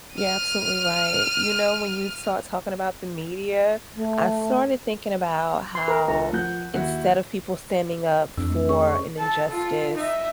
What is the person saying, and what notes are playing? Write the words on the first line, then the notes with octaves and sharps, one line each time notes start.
You're absolutely right. You know, when you start talking about the media, I started thinking about how instead of people standing up for an injustice,
F6 D#7
A3
C6
A#4 B4
C#2 D4 A4 C#5 A#5
F3 F#5 F#6 G6
D#2 E4 F#4 F#5
F2 C4 D4 E6
A3
C#4 G#4 C#5 C#6
A4 A5
F4 A4
D#4 E5